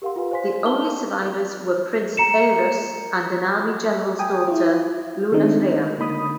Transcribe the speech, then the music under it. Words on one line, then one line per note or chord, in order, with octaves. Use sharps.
The only survivors were Prince Arus and an army General's daughter, Lunafrea.
G4 A#4 F5 F#5 C6
F4 G4 B4 F5 G#5
C5 D5 G#5 C6 B6
D#4 G#5 A5 G7
A#5 C#7 E7
G5 G#5 D#6
E4 F4
D#3 G#3 A3 C4 D4 D#4
D3 A#3 D#4 B5 D#6